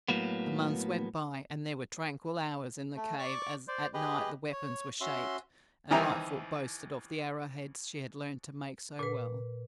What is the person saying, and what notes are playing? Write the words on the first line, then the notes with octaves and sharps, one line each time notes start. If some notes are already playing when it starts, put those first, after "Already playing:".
The months went by and there were tranquil hours in the cave as, at night, the weapons were shaped, and Lightfoot boasted of the arrowheads she had learned to make so well.
A2 F#3 A#3 B3
A3
D5 C#6 D6
C5 D5
G4 G#4 B4 D#5
C#5
C#4 F#4 E5 C6
C2 D#3 E3 G4 E5 A#5
A#2 B4